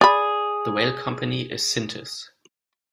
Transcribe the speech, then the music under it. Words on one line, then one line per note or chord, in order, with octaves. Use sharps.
The rail company is Syntus.
G#4 D5 B5